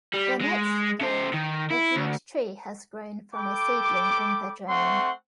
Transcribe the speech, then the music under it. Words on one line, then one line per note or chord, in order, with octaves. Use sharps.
The next day, a huge tree has grown from a seedling in the drain.
G3
G#3
C#3 C5
D#3
E4
D2
A4 G5 B5 D6
A3 C4 F#5 C6 C#6